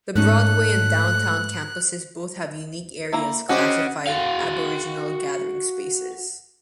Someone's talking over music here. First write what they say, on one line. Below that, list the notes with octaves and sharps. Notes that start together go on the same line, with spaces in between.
The Broadway and Downtown campuses both have unique areas classified Aboriginal Gathering Spaces.
G#2 A3 C#4 D#4 F#6
A#3 E4 A#5
C#3 C#4 F#4 G4 C5 D#5 F#5
F#4 F5